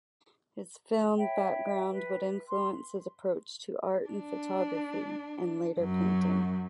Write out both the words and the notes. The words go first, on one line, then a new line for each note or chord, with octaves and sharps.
His film background would influence his approach to art in photography and later painting.
C#5 E5 G5 B5
B4
C6
D4
F#2 F#3